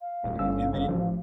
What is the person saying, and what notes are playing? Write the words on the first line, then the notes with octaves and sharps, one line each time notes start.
mhm, and then,
F5
D#1
G1 G3 C#4 E6
G1
A1 F3